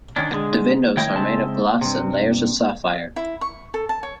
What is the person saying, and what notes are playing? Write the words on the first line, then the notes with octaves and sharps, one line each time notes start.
The windows are made of glass and layers of sapphire.
D#3 C#4 D4
D3 G#3
D#3 A3 E4 C#5 D#5 G5
C#3 G#3 C4 E4 A5
G2 C3
E4
C#6
A4
A5
C#5